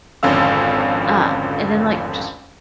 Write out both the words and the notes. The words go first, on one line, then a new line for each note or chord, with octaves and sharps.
Uh, and then, like, just
G#1 F2 D3 C#4 F5 E6